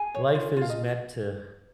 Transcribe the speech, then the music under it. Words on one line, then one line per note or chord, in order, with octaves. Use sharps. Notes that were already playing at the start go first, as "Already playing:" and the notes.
life is meant to,
Already playing: G#4 G#5
C#5
F4
F4 F5
D#5